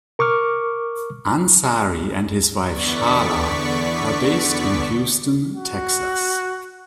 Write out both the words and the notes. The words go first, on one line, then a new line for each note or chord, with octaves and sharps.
Ansary and his wife Shahla are based in Houston, Texas.
A#4 C#6 D6 F6
E2 D3 B3 D5 C#6 B6
F#4